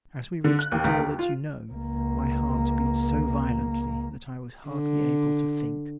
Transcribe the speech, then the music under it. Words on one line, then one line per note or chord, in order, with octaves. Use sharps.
As we reached the door that you know, my heart beat so violently that I was hardly able to think.
D3
F#6
D#2
C#2
D#2
F4
C#2 A#3
D3